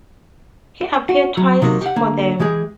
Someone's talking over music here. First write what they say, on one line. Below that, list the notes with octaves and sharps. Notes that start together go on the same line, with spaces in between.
He appeared twice for them.
F#4
F#3
C3 D#3 F#3 A#3
G4 F#5
D3 A#3
E3 G#3 G4 G#4